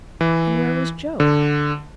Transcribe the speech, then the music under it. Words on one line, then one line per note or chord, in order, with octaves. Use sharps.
And where was Joe?
E3
D3